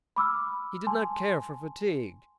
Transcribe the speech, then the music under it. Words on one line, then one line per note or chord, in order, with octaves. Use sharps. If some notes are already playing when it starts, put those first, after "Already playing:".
He did not care for fatigue.
B5 D6 E6 F6
G#5 A5 C6